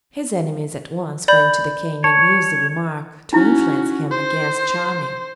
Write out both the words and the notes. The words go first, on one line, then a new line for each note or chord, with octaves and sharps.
His enemies at once went to the King and used the remark to influence him against Charming.
D5 B5 G6
C#5 A5
C#4 D#4 E4 F#4
C5